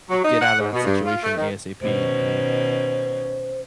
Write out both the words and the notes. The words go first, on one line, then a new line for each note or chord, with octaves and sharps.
get out of that situation ASAP and
F#3
D#4
F#5
G#2
B2
G2
F4
A3
D#3
B2 D#3 C#4 C5